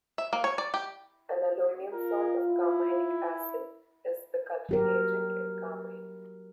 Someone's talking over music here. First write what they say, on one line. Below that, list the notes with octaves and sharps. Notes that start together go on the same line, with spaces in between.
An aluminum salt of carminic acid is the coloring agent in carmine.
E5
A#3
C#5
D5
G4
F4 A#4
E4
F#3 G4 A#4